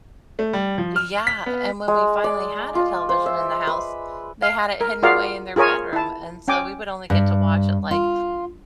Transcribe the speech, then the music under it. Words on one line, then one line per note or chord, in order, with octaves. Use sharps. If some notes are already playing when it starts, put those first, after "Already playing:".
Yeah, and when we finally had a television in the house, they had it hidden away in their bedroom, and so we would only get to watch it, like
A3
G3
F3
F6
B6
B3
G#3
D5
F4
C5
E5
B4
F5
A#4
F4 F#4 G#4 A#4 D5 F5
F4 G#4 A#4 C#5 G#5
E4 A5
C#4 G5 G#5 D6
G2
F4